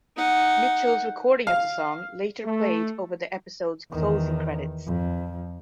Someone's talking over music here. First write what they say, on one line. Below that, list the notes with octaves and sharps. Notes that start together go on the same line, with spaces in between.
Mitchell's recording of the song later played over the episode's closing credits.
D#4 F#5
F5
A3
E2 D#3
F2